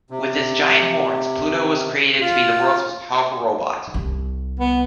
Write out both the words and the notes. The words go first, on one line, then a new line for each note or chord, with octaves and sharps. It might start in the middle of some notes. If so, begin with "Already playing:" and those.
With his giant horns, Pluto was created to be the world's most powerful robot.
C3
F4
C2
B3